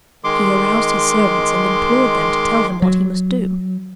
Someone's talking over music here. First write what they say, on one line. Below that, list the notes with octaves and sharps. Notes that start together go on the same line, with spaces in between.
He aroused his servants and implored them to tell him what he must do.
D#3 G#3 C6 D6
F#3